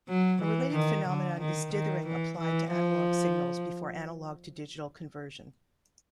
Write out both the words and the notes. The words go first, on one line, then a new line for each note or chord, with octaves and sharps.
A related phenomenon is dithering applied to analog signals before analog-to-digital conversion.
F#3
E3
D#3
D3
D#3
D#3
E3
E3
F3